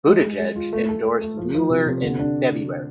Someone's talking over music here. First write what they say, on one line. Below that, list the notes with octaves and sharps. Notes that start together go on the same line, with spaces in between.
Buttigieg endorsed Mueller in February.
G#3
G#3
G#3
F4
A3
A4
A3
A3
F3
F3
C3
C3
D3
D4